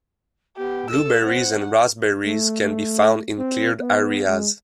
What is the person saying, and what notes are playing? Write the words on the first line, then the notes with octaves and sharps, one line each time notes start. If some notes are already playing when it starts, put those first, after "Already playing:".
Blueberries and raspberries can be found in cleared areas.
B3 G4
A4 E6
C4 F#5
A3
A3
C4
B3
G#3